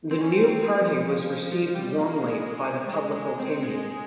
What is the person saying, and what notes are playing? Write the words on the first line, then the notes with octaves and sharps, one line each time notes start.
The new party was received warmly by the public opinion.
C4
C#4
C4
F3
F3
G3
A#3
G#3
G3
G#3
G#3
C4
G#3